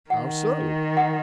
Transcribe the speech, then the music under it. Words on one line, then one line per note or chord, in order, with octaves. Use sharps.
"How so?"
D#3 F#5
F#5